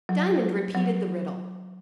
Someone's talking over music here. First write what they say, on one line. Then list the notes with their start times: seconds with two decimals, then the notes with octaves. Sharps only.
Diamond repeated the riddle.
0.09 F#3
0.75 F#3